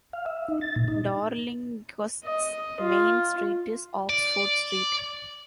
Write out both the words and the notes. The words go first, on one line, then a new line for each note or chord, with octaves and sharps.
Darlinghurst's main street is Oxford Street.
F5
E5
D#4
A6
A#2
D#4
D#5
F4
D5